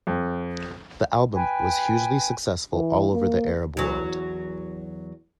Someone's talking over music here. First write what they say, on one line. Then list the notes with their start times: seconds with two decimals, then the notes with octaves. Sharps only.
The album was hugely successful all over the Arab world.
0.07 F2
1.33 B4 G5 G#5
2.74 E3
3.14 A#3
3.77 E2 F#3